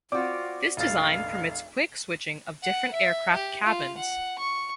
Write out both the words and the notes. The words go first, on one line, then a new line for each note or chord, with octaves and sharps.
This design permits quick switching of different aircraft cabins.
C4 F4 F#4 D5 D6
F1 A#1 F5 A6
F#5
E5
G4
F4
F#5
C#6